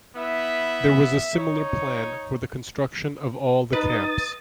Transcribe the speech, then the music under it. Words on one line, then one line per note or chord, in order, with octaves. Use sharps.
There was a similar plan for the construction of all the camps.
B3 E4 E5
D#4 C#5
D#4 B4 D#6 A6